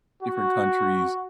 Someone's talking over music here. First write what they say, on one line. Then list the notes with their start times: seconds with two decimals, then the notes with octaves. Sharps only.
different countries,
0.23 F#4